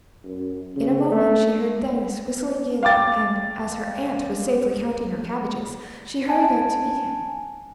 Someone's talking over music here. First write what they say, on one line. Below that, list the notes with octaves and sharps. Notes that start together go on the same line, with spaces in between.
In a moment she heard Denis whistling gaily, and as her aunt was safely counting her cabbages, she hurried out to meet him.
F#2
C#3
A3
F5 G5 D6 A6
G#5 A5